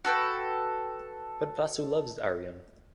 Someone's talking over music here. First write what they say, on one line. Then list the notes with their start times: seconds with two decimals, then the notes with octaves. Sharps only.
But Vasu loves Arjun.
0.05 F#4 A4 B4 G5